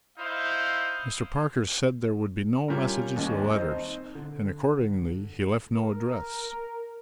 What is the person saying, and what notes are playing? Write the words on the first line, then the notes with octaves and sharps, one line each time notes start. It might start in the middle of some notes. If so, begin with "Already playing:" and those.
"Mr. Parker said there would be no messages or letters, and accordingly he left no address."
D#4 E4 C5 F5
G3 C#4 F4 A#4
D#2 D#3 G3 G#3 C#4
C4 D#4 C5
D3
A#4